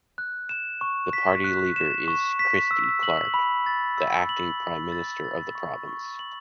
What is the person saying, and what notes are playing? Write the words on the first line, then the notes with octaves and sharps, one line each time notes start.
The party leader is Christy Clark, the acting prime minister of the province.
F#6
E7
C#6
B6
F#6
E7
C#6
B6
E6
F#7
B5
A6
E6
F#7
B5
A6
A6
C#6
C#6
F#7